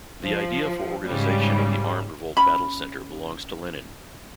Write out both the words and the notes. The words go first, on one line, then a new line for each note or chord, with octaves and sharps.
The idea for organization of the armed revolt battle center belongs to Lenin.
F3
G#2 C#3 G3
C#4 B5